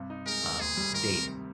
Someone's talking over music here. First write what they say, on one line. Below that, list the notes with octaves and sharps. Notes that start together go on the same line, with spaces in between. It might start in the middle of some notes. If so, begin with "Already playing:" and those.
um, dating.
Already playing: G2 C3
D#4
G#3 A#4
D#3
D2 G#4
G3
D#3 A#4
C3